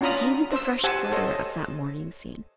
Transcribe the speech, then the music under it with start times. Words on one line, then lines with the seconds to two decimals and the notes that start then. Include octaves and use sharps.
He hated the fresh glitter of that morning scene.
0.01 C#4 D4 F4 A#5 B5 D#6
0.52 C5 E6
0.84 G4 C5 F#5 G#5 A5 E6
1.12 A4 C5 C#5 D#5